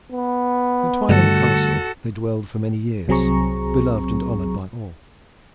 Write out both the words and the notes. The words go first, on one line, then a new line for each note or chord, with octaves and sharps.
At Twynham Castle they dwelled for many years, beloved and honored by all.
B3
G2 D3 G3 A3 F#4 A4
C2 F#3 C4 G#4 A#5 C#6